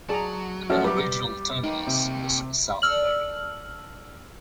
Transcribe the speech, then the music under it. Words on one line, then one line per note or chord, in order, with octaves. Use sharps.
The original terminus was South Ferry.
F#3 G#4 D5 A5 A#5
F3 A3 C#4 F#4 D5 E5 F6
G3 B4 D6
A#3 D#4 G4
C3
D4 A4 D5 E6 F6 F#7